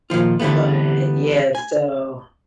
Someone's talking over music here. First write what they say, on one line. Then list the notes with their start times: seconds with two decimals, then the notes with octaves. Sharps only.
But, yeah, so
0.10 A#2 D#3 F3 F4
0.40 D3 E3 G3 A3 B3
1.55 G#5